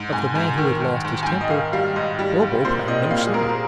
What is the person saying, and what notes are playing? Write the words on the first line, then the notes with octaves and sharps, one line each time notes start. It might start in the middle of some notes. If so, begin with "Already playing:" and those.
Of the man who had lost his temper, Bobo found no sign.
Already playing: G#2
G#2 G#5
G#2 G#5
D#3
G#2
G#2
G#5
G#2 G5
D#5
D#3 F5
G3 F5
G#2 D#5
G3
G#2
A#2 C5
A#2 D#5
A#2 F5
G#4
A#2 A#4
A#4